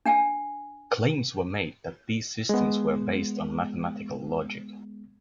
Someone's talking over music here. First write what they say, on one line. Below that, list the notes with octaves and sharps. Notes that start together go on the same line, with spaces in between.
Claims were made that these systems were based on mathematical logic.
D4 G5 G#5
G#3 B3